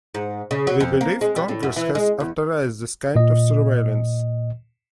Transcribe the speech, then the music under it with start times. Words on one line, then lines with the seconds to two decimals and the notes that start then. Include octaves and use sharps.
We believe Congress has authorized this kind of surveillance.
0.15 G#2
0.51 C#3
0.67 F#3
0.80 F2
1.01 A#3
1.21 G#3
1.36 G3
1.48 A2
1.63 F#2
1.76 E3
1.95 G#3
2.20 E2
3.15 A#2 D#5